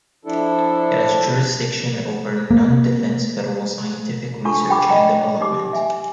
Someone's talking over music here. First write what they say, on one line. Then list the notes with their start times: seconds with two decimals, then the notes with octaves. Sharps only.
It has jurisdiction over non-defense federal scientific research and development.
0.25 F3 D4 E4 A4
2.51 A#3
4.45 D4 F4 A4 A5 C#6
4.69 D4 G5 B5 D6
4.88 D5 D#5 G5 A#5
5.41 D#4 G4 D6
5.73 E5 G#5